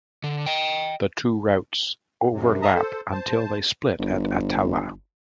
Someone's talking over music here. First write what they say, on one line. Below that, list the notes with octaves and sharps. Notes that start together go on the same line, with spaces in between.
The two routes overlap until they split at Attalla.
D3
D#5 G5
F#2 C3
D#5 E5 A5 A#5 D#6
A4 C5
C5 A5
G1